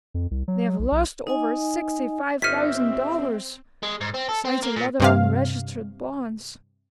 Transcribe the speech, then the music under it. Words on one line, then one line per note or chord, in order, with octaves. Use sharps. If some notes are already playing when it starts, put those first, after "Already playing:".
They have lost over sixty-five thousand dollars, besides a lot of unregistered bonds.
F2
C2
F#3
B1
B1
D#4 D#5 G#5
G1 C4 C#4 D#4 E5 F6 B6
G#3
G#2
C4
A4
C4
A#3
A#2
G2 C3 F5